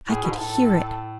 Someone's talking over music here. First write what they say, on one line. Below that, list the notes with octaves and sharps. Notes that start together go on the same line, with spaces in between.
I could hear it.
A2 G#4
B2
G#2
A2 A4